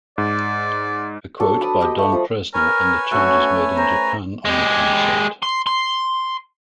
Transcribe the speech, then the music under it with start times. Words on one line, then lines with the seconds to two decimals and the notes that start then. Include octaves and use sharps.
A quote by Don Presnell on the changes made in Japan on the concept.
0.18 G#2 D5
1.40 F#3 D4 A4
1.61 B4 A5 B5 D#6
1.80 G4 D#5 G5
1.98 A3 F#5
2.12 F3
2.54 A#4 B4 C#5 G#5
3.11 A3 C#4 F#4
3.77 C5 A#5
4.45 G#3 G4
5.43 C6
5.67 C6